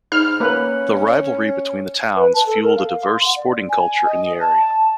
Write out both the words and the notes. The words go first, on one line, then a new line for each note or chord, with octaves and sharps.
The rivalry between the towns fuelled a diverse sporting culture in the area.
G#2 D#4 F6
A#3 C#4 B4
B4
A5
A4
A#4
F5
F5
C6
F#5
D5
G#5
D#5
A5